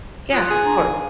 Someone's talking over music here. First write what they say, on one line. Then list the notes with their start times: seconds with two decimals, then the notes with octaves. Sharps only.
Yeah, of course.
0.33 F4 D#6 F#6
0.50 G#4
0.65 D4 A#5 C6
0.80 F5 G#5